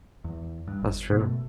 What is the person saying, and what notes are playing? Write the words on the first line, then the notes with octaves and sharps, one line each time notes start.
That's true.
E2
G2
G1
B2 A3